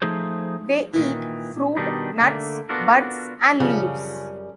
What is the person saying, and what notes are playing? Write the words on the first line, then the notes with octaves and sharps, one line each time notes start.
They eat fruit, nuts, buds and leaves.
F3 A3 D#4 G#4 C5
A#2 D#3 E3
B2 D#3 G3 D4 D#4
D3 A3 A#3
B3 D4 F4 F#4 A4 A#4
F#2 C#3 F3 G3 C#4